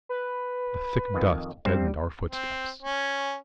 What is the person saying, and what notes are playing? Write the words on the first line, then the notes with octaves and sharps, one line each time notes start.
The thick dust deadened our footsteps.
B4
F2 D#3
G2 G3 C4 C5
C4
C#4